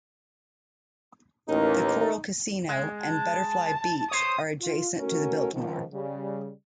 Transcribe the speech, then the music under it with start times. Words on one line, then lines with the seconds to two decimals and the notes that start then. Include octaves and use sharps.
The 'Coral Casino' and 'Butterfly Beach' are adjacent to the Biltmore.
1.48 A1 D#2 D#4 A#4
2.68 G#3
3.04 A5
4.11 C5 C#5 D#6
4.61 F4
4.98 A3 C#4 F#4 A#4
5.53 C#2 D#3 F3
5.93 C#3 G3